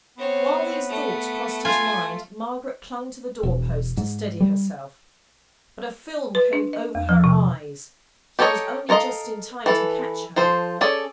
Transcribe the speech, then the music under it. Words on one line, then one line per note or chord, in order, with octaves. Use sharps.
While these thoughts crossed his mind, Margaret clung to the doorpost to steady herself: but a film came over her eyes--he was only just in time to catch her.
B3 C4 C#5
A3
F4 G#5
E1
G#2
G3
B4
D4
D#5
E2
F3
C3
G4 A4 A#4 C#5 D#5
A4 A#4 C#5 D#5 F5
E3 A4
F3 A4 C5
C#4 G#4 A4 D5